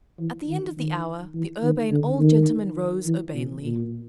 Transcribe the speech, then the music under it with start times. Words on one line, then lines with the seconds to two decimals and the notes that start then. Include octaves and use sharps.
At the end of the hour, the Urbane Old Gentleman rose urbanely.
0.20 E3
0.48 D#3
0.77 D#3
1.34 E3
1.63 D#3
1.92 D3
2.20 D#3
3.06 E3
3.35 B2
3.64 A#2